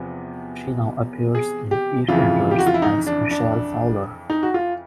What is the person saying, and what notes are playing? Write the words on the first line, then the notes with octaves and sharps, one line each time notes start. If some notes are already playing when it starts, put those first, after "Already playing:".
She now appears in "EastEnders" as Michelle Fowler.
Already playing: E2 C3 F3 B3
G#4
G4
F2 C#3 E3 F4
G4
F#4
F4
E4
D#4
D4
D4
D#4
F#4
F4